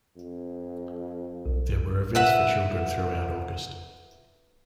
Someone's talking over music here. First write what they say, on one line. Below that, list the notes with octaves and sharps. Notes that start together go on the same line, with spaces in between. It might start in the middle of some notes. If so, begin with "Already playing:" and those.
There were events for children throughout August.
F2
B1
B4 E5 F#5